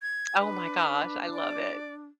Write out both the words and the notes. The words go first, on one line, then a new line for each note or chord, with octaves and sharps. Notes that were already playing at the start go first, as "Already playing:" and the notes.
Oh my gosh, I love it.
G#6
D4 B4
D5